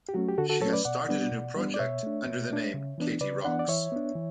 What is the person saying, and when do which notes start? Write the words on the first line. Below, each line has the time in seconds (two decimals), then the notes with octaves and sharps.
She has started a new project under the name Katie Rox.
0.09 G4
0.14 F#3 A3 C#4 F#4
0.29 G4
0.38 D3 F#4 A4
0.50 F#4 A4
0.62 F#3 A3 C#4 A4 C#5
0.73 B4 D5
0.85 B2 D5 F#5
1.09 G3 B3 D4
1.32 B2
1.56 G3 B3 D4
1.74 D5
1.79 B2 C#5 E5
2.03 A3 D4
2.27 B2
2.50 A3 D4
2.74 C#3
2.98 E3 B3 D4
3.21 C#3 B4 D5
3.44 E3 B3 D4 D5 F#5
3.59 D5
3.68 E3 C#5 E5
3.92 B3 D4
4.16 E3